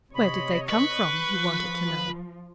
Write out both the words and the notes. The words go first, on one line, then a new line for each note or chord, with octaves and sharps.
"Where did they come from?" he wanted to know.
C3 C#5 D#5 B5
B4 C#6
F3